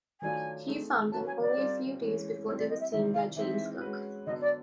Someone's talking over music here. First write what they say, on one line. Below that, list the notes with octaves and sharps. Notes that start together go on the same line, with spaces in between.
He found them only a few days before they were seen by James Cook.
D#3 F#3 A3 D4 F4 G#5
A3 C4 D#4 G#4
F#3 A#3 C#4 F#4 B4 A5
G#5
D5
G3 C4 F4 A#4
E3 G#3 C#4
G3 C4 E4 C#5
D5
D#5
E5
C3 D#3 G3 C4 E4 E5
F5
E3 G#3 C4 D#4 E5
G#3 C#4 F#4 B4
D3 F#3 B3 D#5
D5